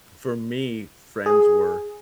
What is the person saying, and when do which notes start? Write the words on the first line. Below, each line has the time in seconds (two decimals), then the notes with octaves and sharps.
for me, friends were,
1.26 G#4